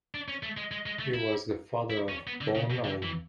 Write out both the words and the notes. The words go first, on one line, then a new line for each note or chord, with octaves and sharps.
He was the father of Boun Oum.
D4
C#4
A3
G#3
G#3
G#3
A3
E4
E4
C#4
B3
D3
C#3
B2
D3
E3